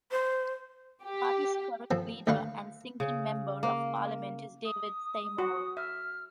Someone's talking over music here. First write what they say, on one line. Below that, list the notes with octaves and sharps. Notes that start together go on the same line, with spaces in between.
The party's current leader and single member of parliament is David Seymour.
C5
G4
F3 B3 C4 A4
D2 A3 B3 B4 F5 C#6
C#3
A#3
D#6
F#4
E5 F6